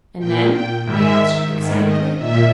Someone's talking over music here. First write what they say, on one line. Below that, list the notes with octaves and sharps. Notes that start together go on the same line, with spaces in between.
"And then?" I asked, excitedly.
A#2 G5
G5
G#2 D#3 E5
G#2 D#3
D#5
A#2 E5